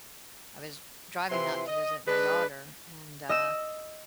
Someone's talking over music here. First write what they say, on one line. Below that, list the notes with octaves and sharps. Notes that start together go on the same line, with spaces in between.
I was driving out to visit my daughter, and, uh,
C3 E3 F3 C6
D#5
G#3 D4 B4
D#5 E6 E7